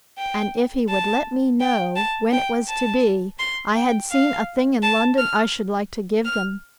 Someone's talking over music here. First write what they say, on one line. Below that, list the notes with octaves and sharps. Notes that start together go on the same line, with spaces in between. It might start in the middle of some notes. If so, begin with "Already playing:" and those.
And if he would let me know when it was to be, I had seen a thing in London I should like to give them.
G5
A5
G5
A5
G5
A5
C6
G5
F5
A5
F6
F6